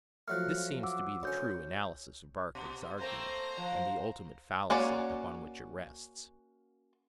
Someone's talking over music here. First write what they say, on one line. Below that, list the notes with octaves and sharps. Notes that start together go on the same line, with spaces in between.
This seems to be the true analysis of Berkeley's argument, and the ultimate fallacy upon which it rests.
F3 F#3 A3 F6 F#6
F5
F#5 D6 E6
D2 C#4 C#5 G6
B2
A3 A#3 C4 C5 A#5
F3
A#3 C#4 F#4 C#5 D5